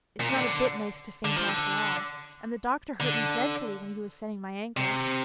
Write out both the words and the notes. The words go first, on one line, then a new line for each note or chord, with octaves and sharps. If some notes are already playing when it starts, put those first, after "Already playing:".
It's not a bit nice to faint, after all. And the doctor hurt me dreadfully when he was setting my ankle.
A#2
C3
D3
D3
F3
D3
D3
C3